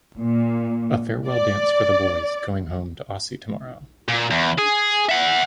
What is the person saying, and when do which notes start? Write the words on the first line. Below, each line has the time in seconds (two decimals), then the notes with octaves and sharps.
A farewell dance for the boys going home to Aussie tomorrow.
0.19 A#2
1.28 D5
4.08 A#2
4.30 E2
4.59 G#4
5.09 E5 F#5